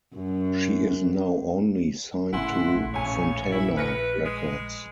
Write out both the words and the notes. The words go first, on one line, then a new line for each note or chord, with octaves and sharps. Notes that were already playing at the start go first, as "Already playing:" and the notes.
She is now only signed to Fontana Records.
F#2
G#1 A2 C#3 E4 F#5 G#5 C6
A#1 A3
C#2 A2 C#5 G#5
E4
B4 F6 A#6 C#7
G#3